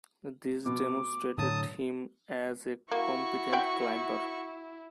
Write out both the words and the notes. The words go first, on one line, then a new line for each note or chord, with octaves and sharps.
This demonstrated him as a competent climber.
B2 D6
A2 D3 F#3 A5 D#6
A#3 E4 F#4 C#6
E5 F#5 G5